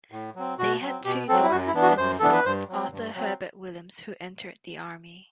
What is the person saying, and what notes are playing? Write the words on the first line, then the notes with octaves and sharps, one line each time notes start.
They had two daughters and a son, Arthur Herbert Williams, who entered the army.
A2
F#3 C4
B2 F#4
F#3 C4
B2 G4
F#3 C4 A4
E4
F#2 F#4
E4
E3 B3 D4
F#4
F#2 C5
E3 B3 D4 A4
B4
G2 C5
F#3 C4
G2
F#3 C4